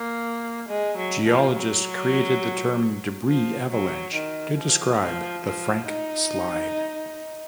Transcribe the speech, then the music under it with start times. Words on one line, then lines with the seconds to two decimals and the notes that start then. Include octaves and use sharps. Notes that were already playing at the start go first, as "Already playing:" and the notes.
Geologists created the term "debris avalanche" to describe the Frank Slide.
Already playing: A#3
0.69 G#3
0.97 F#3
1.27 F3
1.54 F#3
3.28 F3
3.70 F#3
4.14 D#3
4.57 F3
5.01 F3
5.45 F3
5.88 D#4